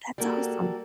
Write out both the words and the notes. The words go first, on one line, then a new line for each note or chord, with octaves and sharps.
That's awesome.
G3 A#3 F#4 A4